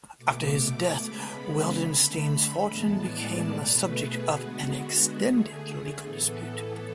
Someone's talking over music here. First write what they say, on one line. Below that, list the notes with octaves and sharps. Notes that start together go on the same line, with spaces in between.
After his death, Wildenstein's fortune became the subject of an extended legal dispute.
B2 A3 D6
C#3 G#3 B3 B5
D3 A3
A2 E3 G#3 B3 A5
D5
B2 A3 B4
G#4
D3 G#3 B3 F#4
D3 A3 G#4
A2 E3 B3 A4